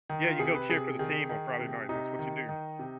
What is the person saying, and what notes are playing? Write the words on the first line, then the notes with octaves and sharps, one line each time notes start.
Yeah, you go cheer for the team on Friday night that's what you do.
D#3
F4
C3 G#4
B4
C3 G#4
D#3 G#4
D#3
C3
C3 D#4
D#3
D#3
C3